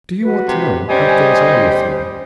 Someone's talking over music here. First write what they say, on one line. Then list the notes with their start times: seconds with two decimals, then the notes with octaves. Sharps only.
"Do you want to know--how things are with me?"
0.23 F#4 B4
0.48 C3
0.90 G3 C#4 C5 D#5 G#5